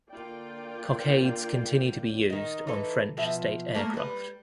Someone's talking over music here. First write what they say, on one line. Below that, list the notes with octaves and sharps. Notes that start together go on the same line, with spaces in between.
Cockades continue to be used on French state aircraft.
D3 A#3 F4 D5 G5
D#3 D#4
E3 D#4 A4
B2 F3 E5
A3 A#3 A#4
G3 B4